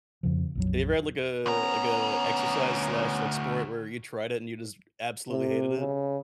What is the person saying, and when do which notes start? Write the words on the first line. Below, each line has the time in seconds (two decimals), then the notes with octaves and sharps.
Have you ever had like uh like, uh, exercise slash like sport where you tried it, and you just absolutely hated it?
0.23 F2 C#3 F3
0.55 A#1 F2 F#3
1.46 D2 B3 C#4 A#5
5.30 C3
5.78 C#3